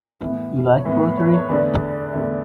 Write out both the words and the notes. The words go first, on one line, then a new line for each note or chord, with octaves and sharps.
You like poetry?
A2 E3 B3
C#5
A2 E3 B3 B4
C#5
B4
C#5
E2 D3 A3 B4 D5
E2 D3 A3